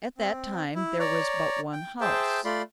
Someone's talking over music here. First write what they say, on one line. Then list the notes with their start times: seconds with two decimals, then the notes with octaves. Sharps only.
At that time there was but one house.
0.18 C4
0.75 E4
0.99 C#5 D5 A#5
1.73 G5
2.01 G#4 C5 E5 G5 A5
2.45 A3 F4 D5 B5 C6